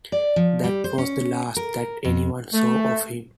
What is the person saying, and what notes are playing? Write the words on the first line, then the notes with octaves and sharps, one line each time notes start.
That was the last that anyone saw of him.
D5
F3
G3
C5
C#4
A#4
F2
A3